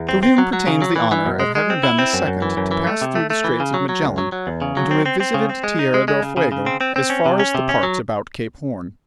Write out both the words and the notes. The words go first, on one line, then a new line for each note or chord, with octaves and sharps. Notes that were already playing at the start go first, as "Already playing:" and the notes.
To him pertains the honour of having been the second to pass through the Strait of Magellan, and to have visited Tierra del Fuego as far as the parts about Cape Horn.
Already playing: E2
C4
C4
F#3
F#3
C#3
F#3
E3
E3
F#2
G#3
G#3
C4
E4
C4
F#2
F#2
E3
F#2
E3
A3
C3
A3
A3
E3
C#3
F#3
F#3
C#2
F#3
F#3
E2
C#3
F#3
C4
C4
C4
C#3
C4
G#3
D#4
G#3
G#3
C#3
C#3
C#3
C4
C4
C4
C#4
C3
C#4
C3
C#4
F#3